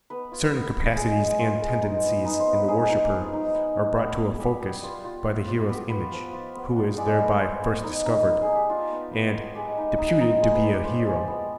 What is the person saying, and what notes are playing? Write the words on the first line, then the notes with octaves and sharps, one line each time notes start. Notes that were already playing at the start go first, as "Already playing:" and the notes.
Certain capacities and tendencies in the worshipper are brought to a focus by the hero's image, who is thereby first discovered and deputed to be a hero.
B3 B4
F4
B3
B3
G#3 G#4
G#3
F4
G#3
D#4
B3
D#4 B4
C5
B3
B4
D#4 G#4
D#4
F3
D#4
B3
D4
B3
B3
G3 G4
B3
G3 F4
F4
B3
F4
B3 G4
F4 B4
F3
F4
B3
D4
G#3 D5
B3
D4 C5
B3
D#4
D#4
B3
G#4
D#4
G4
D4 F4
B3
B3
B3
G#3 G4
D#4
D#4
D#4
F4 G#4
B4
D4 B4
G4
F4 C5
D5
G#3
G5
B3